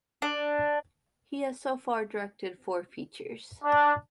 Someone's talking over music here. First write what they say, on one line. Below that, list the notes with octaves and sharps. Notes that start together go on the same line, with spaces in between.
He has so far directed four features.
D4
D4